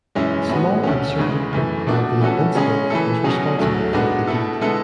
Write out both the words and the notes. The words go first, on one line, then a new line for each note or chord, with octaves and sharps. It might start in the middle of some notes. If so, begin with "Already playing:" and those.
A small insurgent group called the Invincibles was responsible for the deed.
F#2 E3 G#3 C#4 E4
A2 G#3 B3 F#4
D2 D3 A3 C#4
D2 C#3 E3 G#3
F#2 E3 A3
B2 A3 D4 F#4
E3 A3 C#4 F#4 A4
C#3 G#3 C#4 G#4
E3 A3 E4 A4
B2 F#3 C#4 G#4
D2 D3 F#3 A3
G#2 G#3 B3 D4 F#4
B2 A3 E4 A4
D3 G#3 B3 E4 A4